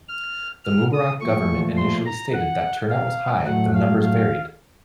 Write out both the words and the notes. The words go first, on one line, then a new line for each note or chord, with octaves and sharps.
The Mubarak government initially stated that turnout was high, though numbers varied.
F6
F6
D#6
A#2 F3 A3 C#6
C6
A#5
F#5
F5
A2 F#3 A3 F#5
F5
F5